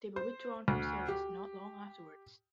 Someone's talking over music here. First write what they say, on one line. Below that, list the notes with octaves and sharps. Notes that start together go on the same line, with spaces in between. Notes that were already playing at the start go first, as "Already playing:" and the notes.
They were withdrawn from service not long afterwards.
C5
D2
G4